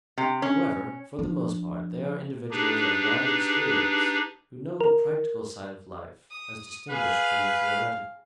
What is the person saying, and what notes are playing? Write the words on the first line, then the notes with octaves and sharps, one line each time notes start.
However, for the most part, they are individuals of wide experience who know the practical side of life as distinguished from the theoretical.
C3
C#4
F3 D4
D4 D#4 G4 G#4 B4
A#4
D#6
G#4 B4 F5